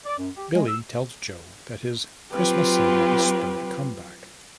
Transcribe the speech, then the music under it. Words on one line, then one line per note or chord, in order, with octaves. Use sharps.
Billy tells Joe that his Christmas single has spurred a comeback.
D5
F#2
G4
G#3
E6
F#3 C4 F4 G4 B4